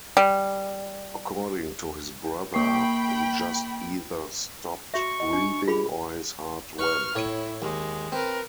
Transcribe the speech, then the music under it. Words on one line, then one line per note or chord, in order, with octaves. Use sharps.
According to his brother, "he just either stopped breathing or his heart went".
G3
A#3 G5 B5 C#6 C7
F#4 E5 C#6
D#5
D4
F4 G#4 B5
B4 C#6 F6
A2 E4 C#5
D#2 G#3
C4 A#4 B4